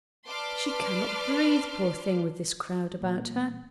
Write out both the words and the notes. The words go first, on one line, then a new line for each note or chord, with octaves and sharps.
She cannot breathe, poor thing, with this crowd about her.'
B4 D5 A5 C6 D6 F6
A#2 E3 G3 A#3